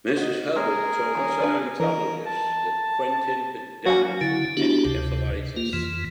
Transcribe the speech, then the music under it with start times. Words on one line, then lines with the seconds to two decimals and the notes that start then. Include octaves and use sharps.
Mrs. Hubbard told Scientologists that Quentin had died from encephalitis.
0.17 D#4 F#4
0.56 G#3 A#3 C#4 G#4 A#4
1.15 D#3 G3 C#4
1.40 D4 B4 D5
1.80 E3 A#4 D#5
2.26 A5
3.86 F#3 A#3 C#4 F#4
4.21 D3 E4
4.57 B3 D4 E4 F#4 G4
4.85 D2 C3
5.56 A#3 F4
5.73 F2 E3